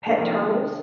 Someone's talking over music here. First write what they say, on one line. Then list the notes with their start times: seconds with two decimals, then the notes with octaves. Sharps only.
pet turtles
0.07 D3
0.17 C3 D#3 F3 A#3